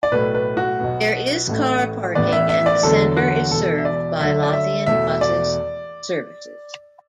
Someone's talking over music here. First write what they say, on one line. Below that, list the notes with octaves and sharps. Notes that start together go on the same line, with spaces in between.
There is car parking and the centre is served by Lothian Buses services.
D5
B1 A2 A3 B4
B4
F#4
B1 B2 B3
A1 A2 A3
A1 A2 E3 B3 D5
E5
E5
D5
E2 D3 F#3 A3 A4
F#4
E1 E2 E3 A4
E5
D5
D2 D3 F#3 A3 E5
D5
E5
E1 E2 E3 A3 E5
D5